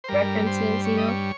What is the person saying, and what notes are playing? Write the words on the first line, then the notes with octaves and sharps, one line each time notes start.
references, you know?
C5
G2 G3 A#4
C5
C#5
D#5
C#5